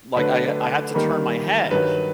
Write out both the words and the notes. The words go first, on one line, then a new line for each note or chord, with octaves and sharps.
Like I I had to turn my head,
D3 F#3 A3 D4 B4
D#3 G3 A#3
G2 D#3 F#3 B4